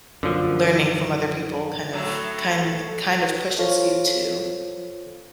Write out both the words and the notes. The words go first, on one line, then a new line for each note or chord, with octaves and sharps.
learning from other people kind of kind kind of pushes you to
F#2 A#2 D3 F3
A2 F#3 A3
F4 A4 C5 C#5 F5